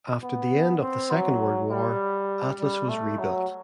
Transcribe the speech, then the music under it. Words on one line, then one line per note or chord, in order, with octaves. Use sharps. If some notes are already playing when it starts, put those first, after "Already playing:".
After the end of the Second World War, Atlas was rebuilt.
B3
C4
F#3
G3
G3
A3
F#3